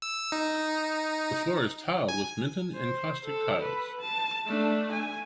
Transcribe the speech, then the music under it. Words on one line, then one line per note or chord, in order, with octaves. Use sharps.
The floor is tiled with Minton Encaustic tiles.
E6
D#4
G#5
C5
A4
B4
A5
A3 D4
G#5